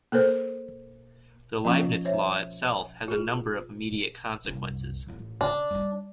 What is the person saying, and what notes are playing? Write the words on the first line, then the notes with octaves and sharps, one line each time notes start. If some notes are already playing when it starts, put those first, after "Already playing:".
The Leibniz law itself has a number of immediate consequences.
A#3 A4 A#4 C5
F3 A#3 C#4 F4 F5 C#6
C5 C#5 E5
F4 G#4
C2 F#2
A1 F4
C#3 D4
G3 D#4